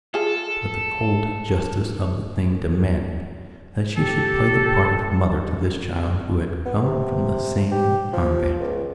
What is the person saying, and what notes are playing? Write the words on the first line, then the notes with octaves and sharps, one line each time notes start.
But the cold justice of the thing demanded that she should play the part of mother to this child who had come from the same convent.
F4 G#4 A4
G4 A4
B3
C3
G4
F3
C#2